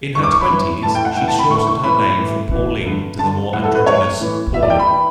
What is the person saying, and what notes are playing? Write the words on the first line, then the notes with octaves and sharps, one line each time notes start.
In her twenties, she shortened her name from Pauline to the more androgynous Pauli.
G2 E3 C#6
D6
C#6
B5
G2 E3
A2 E3 A5
G5
F#5
A2 G5
E3
A5
B5
A2 E3 C#6
C#6
A2 E3 B5
A2 E3
A2 E3
G2 D3
G2 D3 A5
A2 E3 F#5
A4
B4
A2 E3 C#5
A2 E3
A2 E3 E5
D5
G5
B5
E3